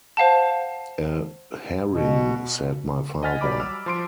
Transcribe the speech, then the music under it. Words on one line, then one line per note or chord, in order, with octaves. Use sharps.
"A herring," said my father.
C5 F5 F#5 A5
B2
D#5 F#5 G#5 F6 A6 B6
F#3 G3 D5 B5 D6
D6 E6 F6
F3 C6 D7